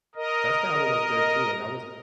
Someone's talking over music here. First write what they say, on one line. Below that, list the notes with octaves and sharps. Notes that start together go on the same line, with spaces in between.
Jessica Alba was good too. Uh, that was
A#4 D#5